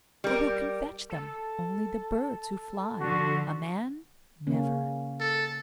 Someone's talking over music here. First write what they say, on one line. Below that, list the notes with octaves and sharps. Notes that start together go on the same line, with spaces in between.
For who can fetch them? Only the birds who fly; a man, never.'
G3 A#4
A4
D3 F3 F#4
C#3 A#3 C#4
A4